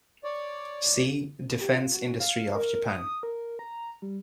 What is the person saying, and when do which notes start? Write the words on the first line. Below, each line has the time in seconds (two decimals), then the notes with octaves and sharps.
See: Defense industry of Japan.
0.24 C#5 D5
1.61 G4
1.75 F4
1.94 F#4
2.20 F5
2.55 A#4
2.88 D#6
3.23 A#4
3.59 A#5
4.02 G3